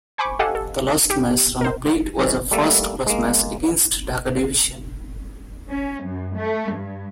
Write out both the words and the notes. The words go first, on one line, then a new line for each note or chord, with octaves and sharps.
The last match Rana played was a first-class match against Dhaka Division.
C5 G#5 B5 C#6 D6
G4 A4 D#5 F5 F#5 G#5
A4
G4
A#4 C5
F#2 C3 D#3 C#4
G3 A3 A#3 A4
G#3 A#3
C#4
F#2
A3
G2